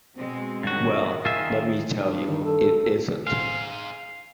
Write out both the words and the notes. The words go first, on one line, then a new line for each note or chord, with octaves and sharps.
Well, let me tell you, it isn't!
B2 G#3 C4
G2 D#3 C#4 F#4
D#3
F4 G#4 E5
G2
D#3
A4
G#4 C5 F5